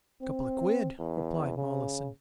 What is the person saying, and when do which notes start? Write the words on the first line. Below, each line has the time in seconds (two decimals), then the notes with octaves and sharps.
"Couple o' quid," replied Mollison.
0.21 C4
0.99 E2
1.57 C#3